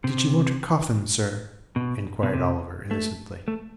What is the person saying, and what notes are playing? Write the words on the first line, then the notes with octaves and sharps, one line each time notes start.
'Did you want a coffin, sir?' inquired Oliver, innocently.
C3
B2
B2
C3
A3
A3